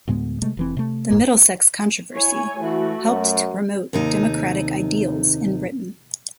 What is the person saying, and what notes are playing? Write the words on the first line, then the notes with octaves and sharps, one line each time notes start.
The Middlesex controversy helped to promote democratic ideals in Britain.
D2 A2 G#3 B3
C3 G#3 A3
F1 E3 C4
C3 A3
F1 G#2 A#3
E4 C#5 G#5
E3 A3 F#4
F#2
D#2 C3 D#4